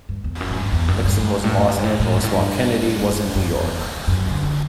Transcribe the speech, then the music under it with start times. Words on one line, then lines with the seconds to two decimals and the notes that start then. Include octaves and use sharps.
Nixon was in Los Angeles while Kennedy was in New York.
0.09 G2
0.24 E2
0.41 F#2
0.51 A2
0.57 G2
0.72 E2
0.88 F#2
1.04 G2
1.21 G2
1.44 A2
1.58 F#2
1.68 G2
1.84 A2
2.00 A2
2.16 G2
2.24 A2
2.32 G2
3.12 F#2
3.35 F#2
3.59 E2
4.07 F#2
4.31 D3